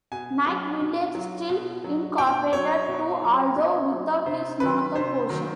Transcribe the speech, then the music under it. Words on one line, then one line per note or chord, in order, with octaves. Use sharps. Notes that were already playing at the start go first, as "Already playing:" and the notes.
Nyack village still incorporated, too, although without this northern portion.
B2 G#5
F#3
B2
F#3
B2
F#3
B2 G5
F#3 C#5
B2
F#3
B2
F#3
C3 C5
D#3 F#3 B4
C3 C5
D#3 F#3